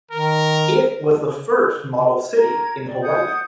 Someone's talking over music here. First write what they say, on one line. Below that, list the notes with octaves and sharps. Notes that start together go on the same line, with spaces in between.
It was the first model city in Hawaii.
D#3 A#4
A#4 A#5 G#6
D5
F#5 D#6 G6 G#6